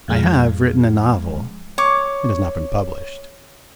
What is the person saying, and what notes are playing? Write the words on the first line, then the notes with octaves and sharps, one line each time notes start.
I have written a novel, it has not been published.
F2 F3 G#3
C#5 C#6 D6